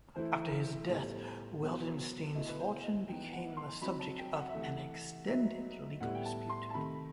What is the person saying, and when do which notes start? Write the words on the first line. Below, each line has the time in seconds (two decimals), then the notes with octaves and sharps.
After his death, Wildenstein's fortune became the subject of an extended legal dispute.
0.16 E3 A3 E4 C5
0.89 A2 G3 B3 C5
1.62 B2 F#3 B3
2.35 B2 A3 E4 D#5
2.49 B4
2.60 C5
2.84 D#5
3.08 E3 B3 D#4 G5
3.33 F#5
3.57 C6
3.82 F#3 C4 D#4 B5
3.99 A5
4.18 G5
4.37 F#5
4.49 E5
4.55 C3 E3 A3
4.61 F#5
5.27 F#3 B3 D#4 E5
6.01 A2 G3 B3 E4 F#5
6.15 G5
6.25 A5
6.50 C6
6.70 A5
6.74 C3 D#3 A3 B5